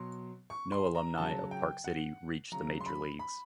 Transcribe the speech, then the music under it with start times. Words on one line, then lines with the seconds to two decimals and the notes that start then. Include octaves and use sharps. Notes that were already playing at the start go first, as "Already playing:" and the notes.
No alumni of Park City reached the major leagues.
Already playing: B2 F#3 C6
0.50 C#6
0.72 C6
0.95 A#5
1.17 C#3 F#3 A5
1.51 G5
1.84 F#5
2.52 C#3 F#3 A#5
2.81 C6
2.86 B5
3.19 B5